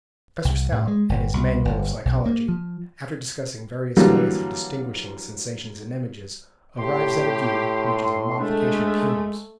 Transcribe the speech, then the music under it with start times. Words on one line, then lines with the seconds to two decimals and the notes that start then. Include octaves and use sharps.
Professor Stout, in his "Manual of Psychology," after discussing various ways of distinguishing sensations and images, arrives at a view which is a modification of Hume's.
0.45 C2
0.72 A2
0.87 G#3
1.09 G1
1.34 C2
1.65 G1
2.05 B1
2.26 A#3
2.48 F3
3.97 D3 E3 F#3 G3 A#3
6.79 A2 G4 C6
8.39 G#3 A3 D4